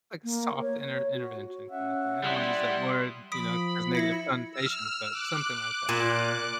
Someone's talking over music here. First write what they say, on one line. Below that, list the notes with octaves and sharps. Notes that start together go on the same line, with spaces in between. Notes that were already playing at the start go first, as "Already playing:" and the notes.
Like a soft inter intervention kinda thing. I don't want to use that word, you know, it has negative connotations, but something like that.
A#3
C#5
F#4
C#4 E5 F#5
G3 E4 C6 D#6 F#6
F3 B5 D#6 B6 D7
E4 B5 G#6 A#6 C#7
E6 F6
D6 F#6
A#2